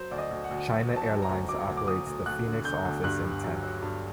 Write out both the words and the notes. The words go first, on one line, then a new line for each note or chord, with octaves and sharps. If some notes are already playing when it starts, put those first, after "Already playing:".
China Airlines operates the Phoenix office in Tempe.
Already playing: F#3 C5
D2 D5
D#5
D2
F#5
D2
F#3
F#3
A5
F#3
A#5
D2
F#3 D6
D2
D6
D2 D#6
D2
D2 F#6
D3
D3 G6
D2
G2 F#6
G2
F#3
F#3
G2